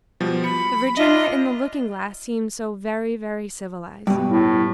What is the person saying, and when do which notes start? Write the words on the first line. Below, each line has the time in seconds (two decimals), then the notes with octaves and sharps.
The Virginia in the looking-glass seemed so very, very civilised.
0.20 B2 F3 G3
0.44 B5 C#7
0.97 D4 F4 D#5 E5
4.07 G2 B2
4.28 A2